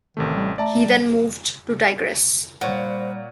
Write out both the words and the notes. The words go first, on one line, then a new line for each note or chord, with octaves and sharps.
He then moved to Tigres.
A1 C3 D#3 A3
G3
A3 D5 A5 A#5
G3
A#2 G3 C5 C#5 F#5